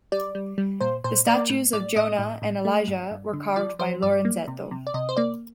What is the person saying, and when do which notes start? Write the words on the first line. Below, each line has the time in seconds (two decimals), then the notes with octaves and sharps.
The statues of "Jonah" and "Elijah" were carved by Lorenzetto.
0.12 G3 D5
0.35 G3
0.58 G3
0.81 A#2 C5
1.04 A#2 C5
1.27 A#3 D5
1.49 A2
1.73 A2 D5
1.96 A2 D#5
2.19 A2
2.42 A2
2.65 A3
2.88 G2
3.11 G2
3.33 D3
3.56 F3 D5
3.79 F3 C5
4.02 G2 D5
4.25 A#3
4.48 C3
4.71 C3
4.87 D5
4.94 C3 D#5
5.09 C5
5.17 A#3 D5